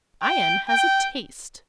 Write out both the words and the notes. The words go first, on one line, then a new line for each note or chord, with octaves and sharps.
"Iron has a taste."
G5
G5